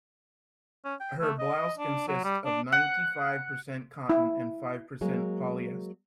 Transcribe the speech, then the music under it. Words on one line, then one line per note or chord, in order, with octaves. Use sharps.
Her blouse consists of ninety-five percent cotton and five percent polyester.
C#4
G5
A3
D#5
D4
F#3
G3
D4
F#5
E4
F#3 G#3 A#3